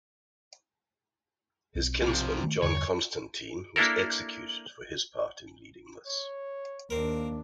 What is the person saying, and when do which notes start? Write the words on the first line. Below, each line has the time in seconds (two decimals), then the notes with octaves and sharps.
His kinsman John Constantine, was executed for his part in leading this.
1.75 B1 C4
2.02 C3 F3
2.44 D#3 A3
2.62 E2 G2 D3 C#5
3.76 A#3 D4 E4 A4 A#4
6.07 C#5
6.90 D#2 A#3 C4 D4 A#4